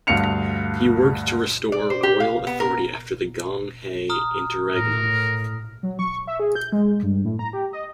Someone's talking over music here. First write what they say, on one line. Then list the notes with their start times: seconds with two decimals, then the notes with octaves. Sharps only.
He worked to restore royal authority after the Gong He interregnum.
0.07 D2 G2 F5 C#7 F7
1.72 D5
1.90 C5
2.03 G4
2.20 F5
2.47 B3
2.60 A#4
4.09 A#5 D#6 F6
4.71 A2 A#4
5.83 F#3
5.99 C#6
6.27 E5
6.40 G#4
6.55 G6
6.72 G#3
7.03 G2
7.25 A2
7.39 A#5
7.53 G4
7.73 D#5